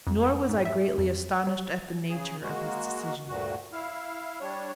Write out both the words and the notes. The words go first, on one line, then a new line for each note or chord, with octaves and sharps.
Nor was I greatly astonished at the nature of his decision.
F2
G#2
E5
F2
F#3
C#3 G#4
G#3 A#3 F#4
D2 G2 A#2 F#4
E4 F5
G3 D4 C#5